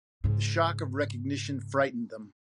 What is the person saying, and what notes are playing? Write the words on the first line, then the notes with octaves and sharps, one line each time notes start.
The shock of recognition frightened them.
G#2 C#3